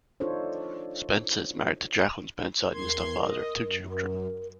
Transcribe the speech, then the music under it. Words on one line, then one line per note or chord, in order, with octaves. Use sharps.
Spencer is married to Jacklyn Spencer and is the father of two children.
D4 D#4 F4 A4 C5 C#5
E2 A#4 C6 G#6
D#5
F#2
A#4